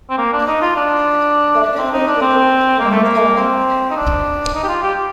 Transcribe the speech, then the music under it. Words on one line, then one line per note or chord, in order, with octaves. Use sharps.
Butter Brickle... candy bar!
C4
A#3
D4
D#4
F4
D4
D4
C4
D#4
D4
C4
A#3
A3
A#3
C4
D#4
D4
D#4
G4
F4
G4